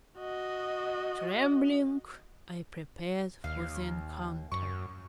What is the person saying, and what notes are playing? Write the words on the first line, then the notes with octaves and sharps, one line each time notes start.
Trembling, I prepared for the encounter.
F#4 D#5
D#2 F5
F#2 C#6